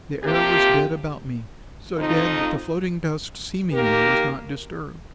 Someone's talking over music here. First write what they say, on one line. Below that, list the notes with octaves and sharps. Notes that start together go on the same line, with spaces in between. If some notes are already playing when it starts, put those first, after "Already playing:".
The air was dead about me, so dead that the floating dust seemingly was not disturbed.
C3 F3 A#3 G4
F2 F3 D#4
D#3 A#3 G4 A#4